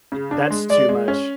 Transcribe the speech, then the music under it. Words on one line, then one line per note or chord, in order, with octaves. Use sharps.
I that's too much.
C#3
D4
G#3
G#3 D5
G#3
C#4